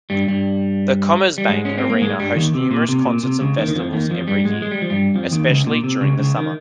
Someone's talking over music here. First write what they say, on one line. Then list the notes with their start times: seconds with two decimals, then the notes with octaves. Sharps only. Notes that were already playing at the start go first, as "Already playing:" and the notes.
The Commerzbank-Arena hosts numerous concerts and festivals every year, especially during the summer.
0.10 G2 G3
0.28 G2 G3
1.38 G3
1.49 G#2 G#3
1.65 C#4
1.78 C4
1.90 A#3
2.01 G#2 G#3
2.19 G2 G3
2.36 D#2 D#3
2.54 C3
2.71 A#2
2.89 C3
3.05 A#2
3.24 C3
3.41 C#2 C#3
3.58 D#2 D#3
3.68 D#3
3.75 F2 F3
3.92 D#2 D#3
4.10 F2 F3
4.28 G2 G3
4.45 G#2 G#3
4.62 G#3
4.71 G3
4.82 F3
4.90 G2 G3
5.15 F2 F3
5.31 D#2 D#3
5.49 C#2 C#3
5.66 A#2
5.84 C3
6.01 C#2 C#3
6.19 C#2 C#3
6.37 D#3